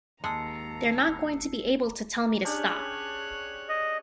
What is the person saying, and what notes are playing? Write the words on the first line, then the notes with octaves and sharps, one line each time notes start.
They're not going to be able to tell me to stop.
D#2 G#3 A5 A#5 E6 C7 C#7
C#4 D4 G4 G#4 C#5 F#6
D#5